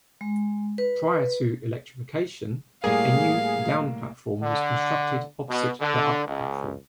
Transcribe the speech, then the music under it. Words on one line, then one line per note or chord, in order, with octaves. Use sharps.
Prior to electrification a new down platform was constructed opposite the up platform.
G#3
B4
A2 G3 A#3 G#4 F5
D3
B2
D3
C#2